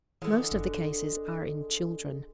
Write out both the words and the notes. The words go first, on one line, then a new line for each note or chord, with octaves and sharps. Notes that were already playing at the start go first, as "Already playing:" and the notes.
Most of the cases are in children.
D3 E3 G#3
F#1